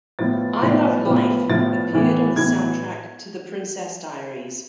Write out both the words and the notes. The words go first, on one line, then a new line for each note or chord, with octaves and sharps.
"I Love Life" appeared on the soundtrack to "The Princess Diaries".
A2 F3 B3 A6
A2 F3 B3
A2 F3 B3
A2 F3 B3 A6
A2 E3 B3
A2 E3 B3 G#6